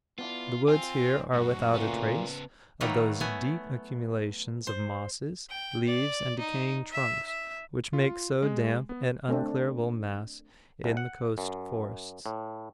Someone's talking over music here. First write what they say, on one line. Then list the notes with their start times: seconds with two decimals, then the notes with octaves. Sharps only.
The woods here are without a trace of those deep accumulations of mosses, leaves, and decaying trunks which make so damp and unclearable mass in the coast forests.
0.19 B3 D4 E4 F4
0.68 C4 F4 G#5
1.34 F#2 A2 F#4
1.74 A#2 C#3 A3 B3
2.81 D#3 F#3 A3 A#3 B4
3.21 A3 B3 G#5
4.67 C5
5.50 G5
5.87 D5
6.39 D#4
6.92 E5
7.27 E5
7.93 F4
8.42 G#3
8.89 B3
9.29 A3 C4 D4
10.84 C2
10.97 F#5
11.38 F#2
12.26 A2